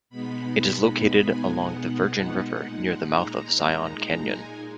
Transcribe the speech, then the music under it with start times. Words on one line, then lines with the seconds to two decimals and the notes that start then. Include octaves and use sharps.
It is located along the Virgin River near the mouth of Zion Canyon.
0.10 B2 G#3 B3 D#4 B5
1.30 G#5
1.61 F#5
2.51 A#2 G#3 D#4
3.12 A#5
4.33 G#5